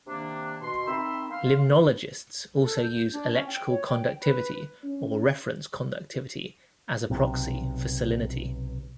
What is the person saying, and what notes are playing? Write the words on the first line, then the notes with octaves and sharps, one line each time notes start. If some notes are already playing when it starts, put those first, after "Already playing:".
Limnologists also use electrical conductivity, or "reference conductivity", as a proxy for salinity.
C3 D#3 A#3 D4
B2 C6
D#3 C4 E5 B5 C6 E6
F5 C6
A4
G6
D4
C#4
G5
C#5
G5
B4
C#4
B1 C3